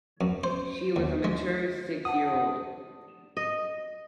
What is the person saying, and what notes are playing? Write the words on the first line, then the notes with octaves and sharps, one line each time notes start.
She was a mature six-year-old.
F#2
C5
D#2
G#3
F#5 A5 D#6
D#5